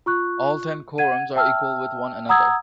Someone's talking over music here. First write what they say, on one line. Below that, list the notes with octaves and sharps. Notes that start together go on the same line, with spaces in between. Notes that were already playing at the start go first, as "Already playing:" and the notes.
All ten quorums are equal with one another.
F4 C#6 F#6
F#5 G#6 D#7
E5 G5 A5 E6 F6
F#5 A#5 D#6 E6 G#6